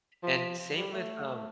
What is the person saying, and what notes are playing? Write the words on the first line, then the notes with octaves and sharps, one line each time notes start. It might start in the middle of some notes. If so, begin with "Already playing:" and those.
And same with, um,
F3
F3
G3
A3